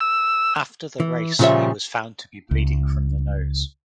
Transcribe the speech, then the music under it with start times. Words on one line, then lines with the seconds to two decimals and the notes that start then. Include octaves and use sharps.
After the race he was found to be bleeding from the nose.
0.01 E6
1.00 E3
1.39 A#2 C#3 F3 G3 C#5 E5
2.51 C#2